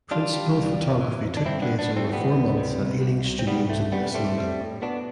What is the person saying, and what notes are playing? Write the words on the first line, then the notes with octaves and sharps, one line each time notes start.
Principal photography took place over four months at Ealing Studios in West London.
G3 D4 F4
G3
C2
F2
E3
F2
D4
G2 C4 E4
B3 D4
G2
B3 D4
F3
A3 C4
C4
E3 G3 B3
D2
C3
C2
C2
C2
C4
C2 G3 B3
C2 A3
C2 G3 B3
G3 A3 C4
G3
A2
B2 B3 D4